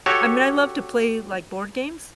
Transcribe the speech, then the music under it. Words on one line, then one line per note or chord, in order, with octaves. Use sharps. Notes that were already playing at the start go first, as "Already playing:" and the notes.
I mean, I love to play, like, board games.
F#4 G4 A4 C#5